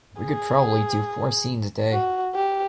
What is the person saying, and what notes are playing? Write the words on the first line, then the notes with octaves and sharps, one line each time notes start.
We could probably do four scenes a day.
G#4
F#4
G4